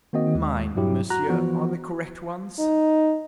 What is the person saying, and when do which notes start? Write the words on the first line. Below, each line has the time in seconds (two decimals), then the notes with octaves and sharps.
"Mine, monsieur, are the correct ones."
0.13 D#3 A#3 C4 F#4 D#5
0.35 D#2 G#3
0.76 G2 A#2 F#3 E4 G4
1.10 F#4 A#5 F#6
1.29 E3 F3 B3 F#4
2.59 D#4